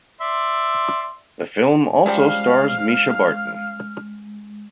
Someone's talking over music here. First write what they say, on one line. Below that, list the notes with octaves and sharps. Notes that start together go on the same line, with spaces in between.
The film also stars Mischa Barton.
D5 E5 C6
C#3 F3 G3 G#3 F5 F6